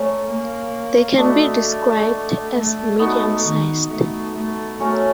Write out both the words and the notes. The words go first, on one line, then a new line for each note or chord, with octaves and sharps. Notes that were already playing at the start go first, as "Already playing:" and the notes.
They can be described as medium-sized.
Already playing: A3 C#4 A#4 C#5
A#3
A3 D4 F#4 B4 D#5
A3
B3 D#4 F#4
D#3
A3
A3
A3 C#4 F#4 A#4